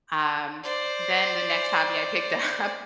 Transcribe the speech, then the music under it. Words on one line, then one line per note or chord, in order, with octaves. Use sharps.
um, then the next hobby I picked up
C5 D5